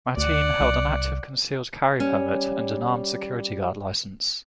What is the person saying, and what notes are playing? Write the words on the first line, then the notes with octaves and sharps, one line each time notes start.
Mateen held an active concealed carry permit and an armed security guard licence.
D2 D5 F#5
C2
G3 C#4